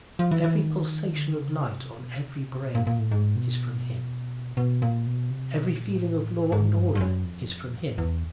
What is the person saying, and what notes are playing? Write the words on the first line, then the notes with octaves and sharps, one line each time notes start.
Every pulsation of light on every brain is from him. Every feeling of law and order is from him.
F3
E3
E3
D#3
D3
C#3
C3
A#2
B2
C3
A#2
A#2
A#2
A2
G#2
B2
B2
A#2
B2
C3
B2
A#2
A2
G#2
G2
G2
F#2
F2
E2